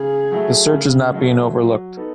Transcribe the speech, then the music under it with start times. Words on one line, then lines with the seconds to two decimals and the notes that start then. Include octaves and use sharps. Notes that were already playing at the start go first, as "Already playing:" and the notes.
The search is not being overlooked.
Already playing: C#3 G#4
0.32 F#3 A3 E4
0.73 C#3
1.14 F#3 A3 E4
1.55 F#3
1.97 B3 D#4 A4